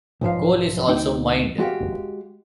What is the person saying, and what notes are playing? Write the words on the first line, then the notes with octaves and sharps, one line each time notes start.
Coal is also mined.
B1 G#2 F3 F5
D2 D#4 G5
G#3 F#4 G4 F5